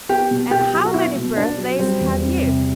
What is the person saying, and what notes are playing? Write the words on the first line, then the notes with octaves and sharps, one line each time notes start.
'And how many birthdays have you?'
B3 G4
B2
B2 G4
F#3
F#4
B3 E4
B2
B2 D4
F#3
G3 C4
E2
C4
C3